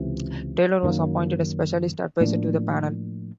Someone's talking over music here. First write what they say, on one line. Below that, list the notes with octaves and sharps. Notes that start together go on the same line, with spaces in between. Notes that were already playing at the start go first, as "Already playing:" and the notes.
Taylor was appointed a specialist adviser to the panel.
Already playing: C#2 C3 E3
F#2 D#3 F#3 A#3
A2 F3 A#3 D4